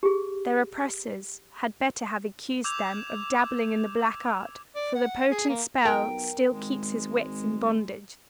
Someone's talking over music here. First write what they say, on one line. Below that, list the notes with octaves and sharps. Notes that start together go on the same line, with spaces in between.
Their oppressors had better have accused them of dabbling in the black art, for the potent spell still keeps his wits in bondage.
G4 G#4
D6 E6 G6 G#6 E7 F7
D5
F#5
G#4
A#3
B1 A#4 G5
G#1 G#3